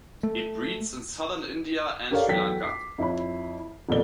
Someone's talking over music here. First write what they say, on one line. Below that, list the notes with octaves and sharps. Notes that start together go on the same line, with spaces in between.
It breeds in southern India and Sri Lanka.
A3
G4 A4 A#4 C#5 D5 F5
E2 F#3 A4 G5 B6
D6 C7
F2 E4 C#5 B5
D#1 F2 B2 A4 D5 G7